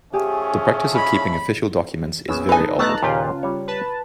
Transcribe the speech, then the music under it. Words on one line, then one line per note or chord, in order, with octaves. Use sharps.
The practice of keeping official documents is very old.
F3 A3 C#4 G4 G#4
C#5 D#5 B5
A#1 B3 C#4 G#4 E6
D#4 A4 B4 D#5 G#5
A3 B3 A5 A#5 F#6
D#2 A#2 C#3 F4 G4
G3 C#5
B4 A5